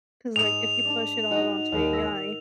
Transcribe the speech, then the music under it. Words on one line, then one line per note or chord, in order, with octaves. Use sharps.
'cause like if you push it all onto AI
G#2 D#6 C#7 F7
D4
D#4 F#4 D#5
D#2
E6 A#6 B6